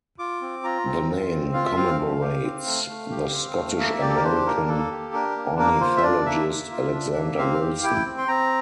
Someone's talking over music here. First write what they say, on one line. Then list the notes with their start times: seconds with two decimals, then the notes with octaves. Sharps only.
The name commemorates the Scottish-American ornithologist Alexander Wilson.
0.19 F4 D6
0.41 C4
0.64 F4 A#5
0.86 C4
1.09 F4
1.32 C4
1.53 F4 F5
1.65 E5
1.76 C4 F5
1.99 A3
2.21 G4
2.44 C4
2.66 A3
2.89 A3
3.11 G4
3.33 C4
3.56 A3
3.78 A#3 E5
4.01 G4 D5
4.09 A4
4.16 A#4
4.23 D4 C5
4.46 A#3 A#4
4.68 A#3 A4
4.91 G4
5.13 D4 A#4
5.36 A#3
5.58 A#3 A#4
5.81 F4 C5
5.97 E5
6.03 D4 D5
6.26 A#3 E5
6.48 A#3
6.71 F4
6.93 D4
7.16 A#3
7.38 C4 F5
7.61 G4
7.83 E4 G5
8.06 C4
8.18 C6
8.28 C4 A#5